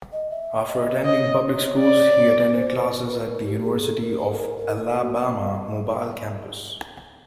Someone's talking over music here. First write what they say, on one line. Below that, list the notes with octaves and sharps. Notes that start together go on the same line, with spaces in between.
After attending public schools, he attended classes at the University of Alabama, Mobile campus.
D#5
E5
D#5
C#5 D#5
D5
C5
B4
B4
A#4
G4
G#4
A4
A#4
B4
A4
A#4
A#4
A#4
F#4